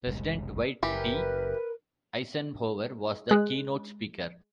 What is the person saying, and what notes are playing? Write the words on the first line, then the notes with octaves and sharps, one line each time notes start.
President Dwight D. Eisenhower was the keynote speaker.
F#1 C2 G#3
F#1 E3 G4 A#4 B4
G#3 F#6